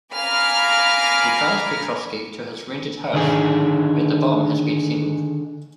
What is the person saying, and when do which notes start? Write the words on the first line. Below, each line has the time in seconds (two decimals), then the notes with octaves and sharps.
He trails Petrofsky to his rented house, where the bomb has been assembled.
0.14 F5 G#5 A#5 B5 D6 F6
3.13 D3 D#3 G#4